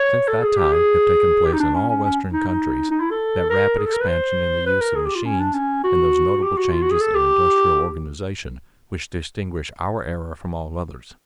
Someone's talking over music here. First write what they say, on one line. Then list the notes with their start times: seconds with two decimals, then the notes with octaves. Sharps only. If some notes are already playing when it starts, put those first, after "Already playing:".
Since that time, have taken place in all Western countries that rapid expansion in the use of machines and those notable changes in industrial organization which distinguish our era from all others.
Already playing: C#5
0.28 A4
0.42 G#4
0.57 G4
0.72 G#4
1.46 G4
1.53 D#4
1.60 D4
1.75 C#4
1.89 C#4
2.04 C#4
2.33 D#4
2.48 D#4
2.91 D#4
3.00 E4
3.11 A4
3.50 A#4
3.78 G#4
3.85 A4
3.94 A#4
4.01 B4
4.09 C5
4.66 B4
4.81 A#4
4.96 G#4
5.06 G4
5.15 F4
5.25 C#4
5.40 D4
5.54 C#4
5.84 F#4
6.43 G4
6.58 F#4
6.72 F4
6.82 F#4
6.91 G#4
7.01 A4
7.15 G4